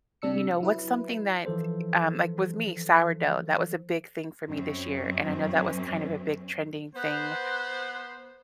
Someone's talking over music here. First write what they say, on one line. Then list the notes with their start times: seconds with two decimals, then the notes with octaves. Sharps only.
you know, what's something that, e eh, um, like, with me, sourdough, that was a big thing for me this year. And I know that was kind of a big trending thing,
0.22 C3 G3 D4 E6 C#7
0.61 F#3 E4 B4
1.46 E3 F3 A4 C5
4.48 F#2 C4 C#4
6.96 B3 C5 F#6